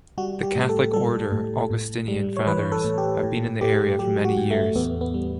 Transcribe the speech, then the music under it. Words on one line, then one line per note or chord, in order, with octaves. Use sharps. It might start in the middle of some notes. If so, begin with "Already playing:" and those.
The Catholic order Augustinian Fathers have been in the area for many years.
G3 F#4
G4
A2
A4
G3 A4
A2
A2
G3
C#5
E3 B4
A4
A2
G4
A2
A3 G4
F#3 G4
F#4
A2
A3
E2 B3
B3
G3